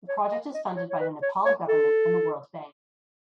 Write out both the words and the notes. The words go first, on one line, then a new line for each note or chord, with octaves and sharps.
The project is funded by the Nepal Government and the World Bank.
C#5
D#5
D#5
C#5
C#5
B4
C#5
C#5
A4